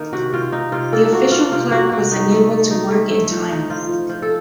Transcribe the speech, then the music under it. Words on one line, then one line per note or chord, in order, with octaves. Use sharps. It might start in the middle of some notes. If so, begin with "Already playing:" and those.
The official clerk was unable to work in time.
Already playing: D#3 A#3 D#4
C3 F#4
C3 F4
C3 D#4
C3 F4
A#3 A4
A#3 F#4
A#3 F4
C3 F4
A#3 F#4
C3 F#4
D#4
A3
A3
D#4
A3
A3
F3
D#4
F3 F4
F3
F3
A4